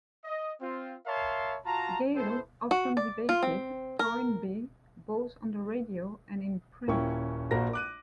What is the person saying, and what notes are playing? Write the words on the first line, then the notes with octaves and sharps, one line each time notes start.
Geyl often debated Toynbee both on the radio and in print.
D#5
C4 F4
A#4 C#5 E5 F5 A5 C6
F4 F#4 A5 A#5
C4 E4 A4 C5
F#4
D5
F4
C4
A#4
D#1 A#3 C#4 E4 G5 C#6
A#1 A#3 F#4 A#4 C5 A#6
D6 F#6 D#7